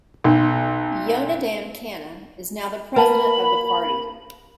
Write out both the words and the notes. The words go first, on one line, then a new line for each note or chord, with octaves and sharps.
Yonadam Kanna is now the president of the party.
B1
A#3 B4 A5 B5